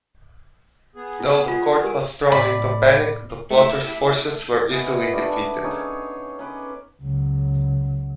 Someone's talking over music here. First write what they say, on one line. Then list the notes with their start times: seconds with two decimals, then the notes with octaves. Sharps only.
Though the court was thrown into panic, the plotters' forces were easily defeated.
0.96 B3 G#4
1.20 E4
1.48 F4
1.83 G4 A#4 G#5
2.32 A2 D5 B5
3.50 A3 E4 G4 E5
4.70 E3 B3 D#5 G#5
5.13 G3 A3 D4
5.26 D4 G#5 A5
5.64 C#4 D#4 G#4 C#5
6.39 C#4 B4 D6
7.02 C#2 F#3